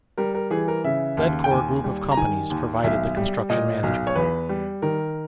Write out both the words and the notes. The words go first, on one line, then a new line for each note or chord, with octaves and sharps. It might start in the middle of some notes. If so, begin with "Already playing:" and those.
Ledcor Group of Companies provided the Construction Management.
G3 A#4
A#4
E3 G#4
A#4
C#3 E5
D#2
G5
D#2 G#5
G3
A#5
D#3 G#5
D#2
B1 E5
G3
A#2 D#5
B1
C#5
E2 B4
G3
D#3 A#4